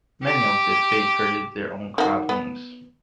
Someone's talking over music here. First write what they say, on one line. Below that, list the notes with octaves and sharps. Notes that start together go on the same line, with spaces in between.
Many of these feature in their own cartoons.
G4
D#3 F#4
B3